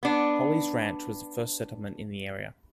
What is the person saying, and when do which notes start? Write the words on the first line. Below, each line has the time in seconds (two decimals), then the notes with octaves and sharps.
Holly's ranch was the first settlement in the area.
0.03 B3 D4